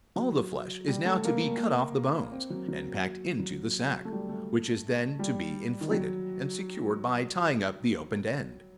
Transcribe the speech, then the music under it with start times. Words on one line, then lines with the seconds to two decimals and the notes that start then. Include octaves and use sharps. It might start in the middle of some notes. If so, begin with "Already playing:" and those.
All the flesh is now to be cut off the bones, and packed into the sack; which is then to be inflated, and secured by tying up the open end.
0.16 F#3
0.88 G3
1.05 A3
1.25 A#3
2.32 C4
2.50 F#3
2.68 F#3
3.40 F#3
4.05 A3
4.12 G3
4.29 A3
5.19 G3
5.81 D#3
5.91 F#3